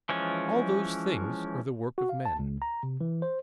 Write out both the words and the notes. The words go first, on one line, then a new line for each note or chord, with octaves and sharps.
All those things are the work of men.
E3 F3 G#3 C#4
F#4
F5
A5
C#2
A#5
C3
E3
C5